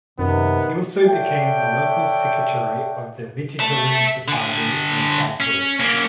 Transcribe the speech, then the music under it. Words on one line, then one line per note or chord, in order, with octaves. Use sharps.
He also became the local secretary of the Vegetarian Society in Salford.
F#2 C3 D#3 B3
A4 C#5 D5 E5 F#5 G5
E5 A5
D3 G#5
C#4
A#3 C#4